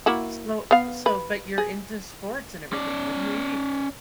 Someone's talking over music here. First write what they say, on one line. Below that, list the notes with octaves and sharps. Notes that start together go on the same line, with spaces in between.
So so but you're into sports and everything. What do you eat?
A#3 E4 F#4
B3 F5
B4
G#4
C#4 D5